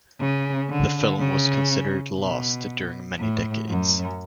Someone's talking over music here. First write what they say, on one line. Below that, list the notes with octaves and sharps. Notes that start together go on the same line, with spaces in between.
The film was considered lost during many decades.
C#3
D3
C#3
B2
A2
F#2